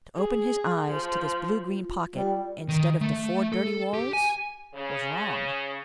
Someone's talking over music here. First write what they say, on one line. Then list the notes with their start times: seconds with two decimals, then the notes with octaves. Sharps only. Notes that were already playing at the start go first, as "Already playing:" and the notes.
To open his eyes to this blue-green pocket instead of to four dirty walls, was wrong.
0.15 G#4
0.89 F3
1.62 F4
1.81 F4
2.16 G3
2.68 D#3
3.01 A3
3.53 A4
3.94 G4
4.13 G#5
4.75 C#3